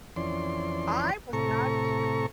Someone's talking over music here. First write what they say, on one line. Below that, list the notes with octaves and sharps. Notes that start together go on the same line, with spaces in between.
I was not stru
F2 E3 C#4 D5 C6
A2 C3 A4 A#5 C#6